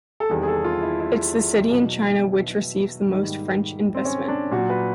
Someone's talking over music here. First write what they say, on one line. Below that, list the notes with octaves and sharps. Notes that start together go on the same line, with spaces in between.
It's the city in China which receives the most French investment.
A4
E2 C3 D#3 G3 G#4
G#4
A4
F4
E4
E4
B2 F#3
G#2 D#3 G3
C4
C#4
D4
A#2 F#3 F#4
B4